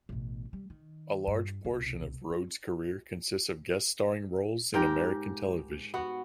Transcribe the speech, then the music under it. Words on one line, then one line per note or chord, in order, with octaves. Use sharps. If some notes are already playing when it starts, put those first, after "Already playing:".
A large portion of Rhodes' career consists of guest starring roles in American television.
A1 B2
G3
D#3
G2
E1 C2
C4
G#2 G4 A#4 G5
B3 F#4